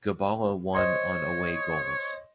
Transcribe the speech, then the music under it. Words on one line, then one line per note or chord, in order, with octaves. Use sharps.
Gabala won on away goals.
C5 C#5 D#5 C6